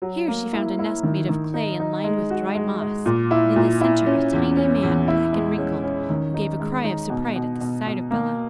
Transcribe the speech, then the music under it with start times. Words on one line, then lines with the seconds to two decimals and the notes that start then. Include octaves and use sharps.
Here she found a nest made of clay and lined with dried moss, and in the centre a tiny man, black and wrinkled, who gave a cry of surprise at the sight of Bellah.
0.02 F#3
0.28 A#3
0.53 E4
0.79 E4
1.03 D#3
1.29 D#3
1.54 D#4
1.79 D#4
2.04 G#3
2.30 F#4
2.55 G#3
2.81 G#3
3.06 A#2
3.31 E4
3.56 A#2
3.81 E4
4.06 C#4
4.33 E2
4.57 C#4
4.83 E2
5.08 E4
5.33 G#3
5.58 C#4
5.84 C#4
6.10 D#3
6.34 D#4
6.60 G#3
6.84 D#4
7.10 B2
7.36 B2
7.61 B2
7.87 B2
8.11 A#3